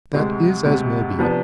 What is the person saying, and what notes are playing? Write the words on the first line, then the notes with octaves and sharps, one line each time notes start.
"That is as may be."
D2 C3 G#3
D2 C3 G#3
C3 F3 B3 D4